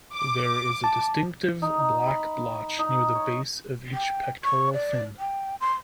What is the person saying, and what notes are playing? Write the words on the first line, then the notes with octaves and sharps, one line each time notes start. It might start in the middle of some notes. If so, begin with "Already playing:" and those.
There is a distinctive black blotch near the base of each pectoral fin.
D6
A5
D#4
D#4
B5
D#4
C#5
G5
C#6
D5
G5
C6